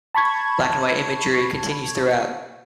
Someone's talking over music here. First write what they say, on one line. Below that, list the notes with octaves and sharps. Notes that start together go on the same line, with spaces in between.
Black-and-white imagery continues throughout.
A5 B5 C#6 G#6